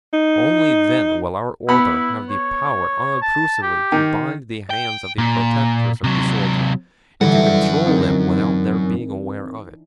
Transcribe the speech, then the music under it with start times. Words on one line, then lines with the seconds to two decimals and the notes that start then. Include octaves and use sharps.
Only then will our order have the power unobtrusively to bind the hands of the protectors of disorder and to control them without their being aware of it.
0.14 D#4
1.68 B3 E4 B5
2.30 C#5
3.22 A5
3.62 G4
3.92 D#3
4.70 G5
5.18 A#2
6.04 C3 F#3
7.21 F#2 D3 E3 G3 E4 A4 F#5
7.87 C4 D#4 A#4